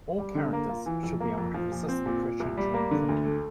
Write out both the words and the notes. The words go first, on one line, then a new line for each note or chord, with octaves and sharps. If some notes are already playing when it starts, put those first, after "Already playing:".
All characters should be able to resist the pressure during printing.
G3
D3
A#3
F4
E3
F2
A#3
F2
F3
A#2
C4
A#2
A#2
C2
G3
A#3
D3
D2
A3